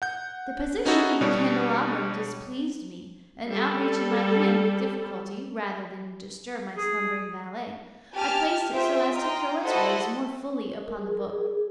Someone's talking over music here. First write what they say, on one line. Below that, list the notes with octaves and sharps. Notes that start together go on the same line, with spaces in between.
The position of the candelabrum displeased me, and outreaching my hand with difficulty, rather than disturb my slumbering valet, I placed it so as to throw its rays more fully upon the book.
F#5 G6
C#4 D#4 E4 F#4 G#4 A4
B2 G3 D4 C#5
G3 A4
G#4
G4 G#5 A5 F6
C4 F4 G#4 C5 E5 G5
D#5 F5 G5 A#5 C6
E4 F#4 A4 C5 D#5 F#5
A#4
G#4
A#4
G#4
G#4